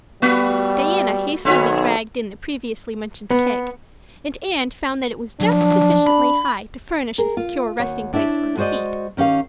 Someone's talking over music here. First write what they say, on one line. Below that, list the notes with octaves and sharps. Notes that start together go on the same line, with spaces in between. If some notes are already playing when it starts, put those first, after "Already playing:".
Diana hastily dragged in the previously mentioned keg and Anne found that it was just sufficiently high to furnish a secure resting place for her feet.
G3 A3 B3 F#4 B4
B1 D#3 C4 F#4 B4 C#5
B3
F3 F#3 D4
B5
G#4 A#4
F4
D#2 F#4 C#5
D4 E4 C#5 E5
G#3 F#4 C5 D5 D#5
D#3 C#4 G4 F5